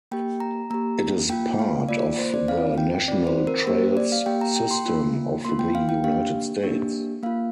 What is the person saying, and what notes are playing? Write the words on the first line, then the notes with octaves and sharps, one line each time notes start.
It is part of the National Trails System of the United States.
A#3 G4 G5
A#5
A#3 G4 A#5
A#3 F4 G5
F5
A#3 F4 D5
C5
D5
C4 F4 F5
G5
C4 F4 D5
C5
A#4
A#3 G4 C5
D5
F5
A#3 G4 G5
A#5
G5
C6
A#3 F4
A#3 F4 C6
G5
F5
G5
A#3 D4 G4 F5
A#3 D4 G4
A#3 F4 F5